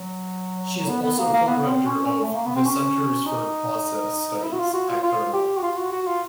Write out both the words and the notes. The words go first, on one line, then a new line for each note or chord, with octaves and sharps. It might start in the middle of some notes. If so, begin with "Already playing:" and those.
She is also co-director of the "Center for Process Studies" at Claremont.
Already playing: F#3
B3
B3
A#3
A#3
B3
C4
C#4
C#4
A3
A#3
B3
C4
C#4
D#4
E4
F#4
F4
F#4
F4
F4
G4
F#4
F4
F#4
F#4
F4